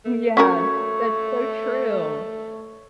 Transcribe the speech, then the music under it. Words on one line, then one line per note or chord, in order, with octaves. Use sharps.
Yeah, that's so true.
A3
C#4 F#4 A#4 C#5